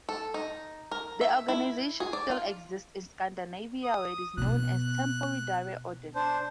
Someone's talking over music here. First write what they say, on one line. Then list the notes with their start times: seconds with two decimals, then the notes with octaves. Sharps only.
The organization still exists in Scandinavia, where it is known as Tempel Riddare Orden.
0.09 A4
0.34 D#4
0.91 A#4
1.21 E5
1.48 E4
2.00 G#4
2.13 D5
2.31 F4
3.83 D#6
4.37 B2 B3 F#6
6.15 D4 C5